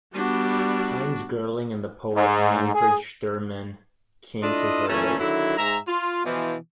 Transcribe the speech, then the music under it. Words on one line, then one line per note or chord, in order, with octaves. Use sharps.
Heinz Gerling and the poet Manfred Schturmann came to her aid.
G3 B3 D4 F#4
G#2
G#4
D4 E4 F4 A4 D#5
A#2 E3 A3 C#4
D3 D#3 F#3 E4
G#2 G#3 E5 A#5
F4
B2 E3 F3